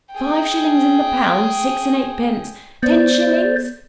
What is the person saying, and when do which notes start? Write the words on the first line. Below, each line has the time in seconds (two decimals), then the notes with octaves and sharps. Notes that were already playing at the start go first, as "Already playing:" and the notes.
Five shillings in the pound, six and-eightpence, ten shillings?
0.13 G#4 G5
2.83 B3 C5 D5